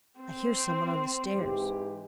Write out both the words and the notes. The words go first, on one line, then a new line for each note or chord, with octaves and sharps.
"I hear some one on the stairs."
C4
G#2 E3 G4